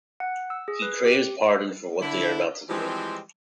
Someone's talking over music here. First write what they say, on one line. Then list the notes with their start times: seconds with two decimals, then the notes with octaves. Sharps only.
He craves pardon for what they are about to do.
0.20 F#5
0.50 E6
0.68 G#4
0.82 B4
1.05 G4
2.01 D3 E4
2.69 E3 F3 G3 G#3 C4